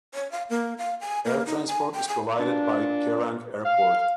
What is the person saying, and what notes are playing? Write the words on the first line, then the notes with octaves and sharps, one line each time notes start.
Air transport is provided by Kerang Airport.
C#5
F5
A#3
F5
G#5
A#3
D#4
G#5
G5
G#5
A#2 D4
F5